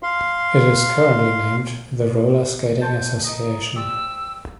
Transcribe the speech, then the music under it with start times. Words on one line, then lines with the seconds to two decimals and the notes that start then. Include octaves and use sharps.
It is currently named the Roller Skating Association.
0.03 F5 C6
2.81 A4 C5 A5 G6
3.24 D#4 A#5 D#6
3.76 G4 C5 D5 E6